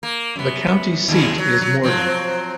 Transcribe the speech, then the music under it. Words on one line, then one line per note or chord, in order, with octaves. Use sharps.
The county seat is Morgan.
A#3
F#2 B3
D#2 B2 G#3
F#3
F#3
F3 F#3 C4